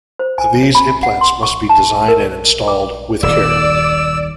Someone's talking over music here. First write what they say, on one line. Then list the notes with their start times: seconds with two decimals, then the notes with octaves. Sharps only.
These implants must be designed and installed with care.
0.19 C5
0.38 G#5
0.63 C#5
0.75 B5
1.03 F#5
1.21 C6
1.43 C#6
1.69 A5
2.08 A#4
2.68 D6
3.23 D#1 D#2 D5 E6